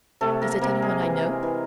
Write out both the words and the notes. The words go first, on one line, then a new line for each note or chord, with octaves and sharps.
"Is it anyone I know?"
C3 A3 A4
A#3 A#4
C3 A#3 A#4
G#3 G#4
E3
E3